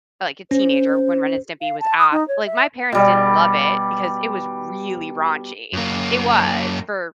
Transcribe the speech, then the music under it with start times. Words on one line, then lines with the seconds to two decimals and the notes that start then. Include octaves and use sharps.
like, a teenager when Ren and Stimpy was off, like, my parents didn't love it because it was really raunchy. It was for,
0.51 C#4 C5
1.61 F5
1.80 A5
1.98 D#6
2.12 D#4
2.28 C#5
2.46 E5
2.92 B2 G3
5.73 F#2 A#3